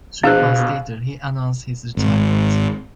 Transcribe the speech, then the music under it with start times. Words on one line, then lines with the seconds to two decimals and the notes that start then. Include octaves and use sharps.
Three months later, he announced his retirement.
0.23 B2 D4 G#4 C5 F5 F#6
1.97 G#1